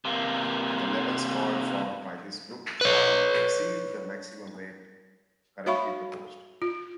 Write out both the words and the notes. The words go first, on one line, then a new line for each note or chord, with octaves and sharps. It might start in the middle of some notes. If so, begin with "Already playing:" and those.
The levels called for by this group far exceed the maximum rate currently proposed.
C3 A#3
B4 C#5
F#4 C#5 E5 F5 B5 C#6
F4